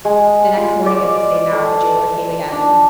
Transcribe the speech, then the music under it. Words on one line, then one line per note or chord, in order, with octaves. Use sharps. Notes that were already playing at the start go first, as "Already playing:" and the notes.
The next morning at the same hour, the jailer came again.
G#3
F4
D5
D5
A4
D4